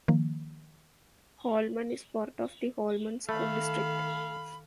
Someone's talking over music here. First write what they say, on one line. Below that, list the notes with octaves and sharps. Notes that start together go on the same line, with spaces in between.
Holmen is part of the Holmen School District.
D#3 F3 A#3
D#3 A3 A4 F5 B5